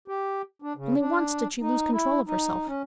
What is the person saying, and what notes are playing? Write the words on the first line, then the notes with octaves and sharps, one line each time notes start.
Only once did she lose control of herself.
G4
D4
C#3
D4
D#4
E4
D#4
C#4